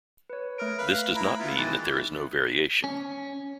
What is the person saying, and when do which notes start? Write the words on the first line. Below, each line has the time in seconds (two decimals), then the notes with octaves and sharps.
This does not mean that there is no variation.
0.30 B4 C#5
0.58 A3 A#4 F6 D7
0.78 B4 F5
1.16 E4 A#5 B5
1.39 B3 E4 F4
1.57 D#3 E3 G#3 F#6 A6
2.84 C#4